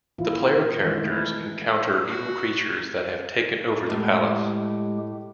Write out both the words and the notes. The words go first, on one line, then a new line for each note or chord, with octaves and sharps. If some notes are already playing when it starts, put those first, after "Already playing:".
The player characters encounter evil creatures that have taken over the palace.
A#2 E3 E4 F4
D#3 E3 G#3
A3 E4
F#4
A2 G#3 G4